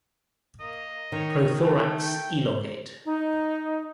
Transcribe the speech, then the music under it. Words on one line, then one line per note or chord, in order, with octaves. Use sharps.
Prothorax elongate.
A#3 D#5
D#3 C#5
A3 A4
G5
D#4